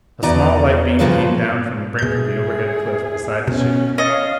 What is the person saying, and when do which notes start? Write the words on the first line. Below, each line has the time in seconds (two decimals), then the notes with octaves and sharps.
A small light beam came down from the brink of the overhead cliff beside the ship.
0.23 E2 B2 D5 D#5 A#5
0.99 G2 A#2 C#3 F3 A#3 B4
1.99 B2 E4 G#4 G6
3.48 B2 B3 C#4
3.98 C#4 C#5 D#5 F5 A6